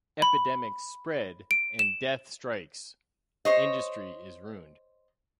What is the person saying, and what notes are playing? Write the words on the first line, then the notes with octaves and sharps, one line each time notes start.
Epidemics spread and death strikes-industry is ruined.
B5
D7
E7
C5 C#5 D#5